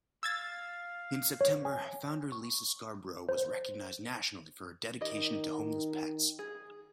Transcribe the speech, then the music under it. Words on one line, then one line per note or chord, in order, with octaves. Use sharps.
In September, founder Lisa Scarbrough was recognized nationally for her dedication to homeless pets.
F5 E6 G#6 A6
C#5
G#5
C#6
C5
D#3 G4 D#5
G#4